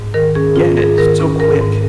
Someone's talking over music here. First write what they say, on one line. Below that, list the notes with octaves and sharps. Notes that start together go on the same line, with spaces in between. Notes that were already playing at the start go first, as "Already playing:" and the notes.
Yeah, and it's so quick.
Already playing: G#2
D#3 A#4
C#4 G#4
G#2 F4
G#2 G#4
D#3 A#4
C#4
G#2 A#4
G#2